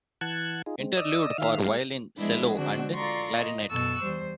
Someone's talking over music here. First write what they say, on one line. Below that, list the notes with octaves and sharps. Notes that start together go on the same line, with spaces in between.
"Interlude", for violin, cello, and clarinet.
E3 F#5 A5 F#6 G#6
D#4 F4 G#4
G#3 C4
D5 D#5 D#6 E6
D#3 E5 F5 F6
G#3 F5
F3 G#3 B3 D4 E4
D3 G#3 C4 D4 F#4
F4 A4 D5 A#5 C6 C#6
D#5
F#2 B2 A4 C#6 E6 F#6
E2 G3 C5